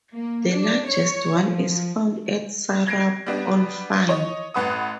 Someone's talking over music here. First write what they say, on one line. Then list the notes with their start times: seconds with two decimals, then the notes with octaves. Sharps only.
The largest one is found at Sarup on Fyn.
0.13 A#3
0.49 D4
0.87 C#5
1.39 F3
2.87 G#6 A#6 C7 D7
3.26 G3 B3 D4
4.09 C#5 D#5
4.54 A1 B4 F#5 D#6